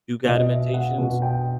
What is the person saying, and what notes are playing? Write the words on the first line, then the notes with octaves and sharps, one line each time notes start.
do guided meditations.
B2 D#5
E5
F#5
B2 F#5
G5